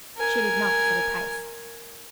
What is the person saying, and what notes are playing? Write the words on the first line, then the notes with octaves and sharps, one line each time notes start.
She did not set a price.
A#4 G#5